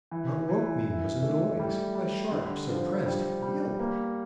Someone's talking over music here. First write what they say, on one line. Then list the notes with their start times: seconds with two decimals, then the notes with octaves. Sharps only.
What woke me was a noise--a sharp suppressed yelp.
0.11 E3
0.49 E3
0.85 E4
1.22 A3
1.59 G3
1.95 G3
2.32 D3
2.69 F3
3.06 G3
3.42 G3
3.79 A#3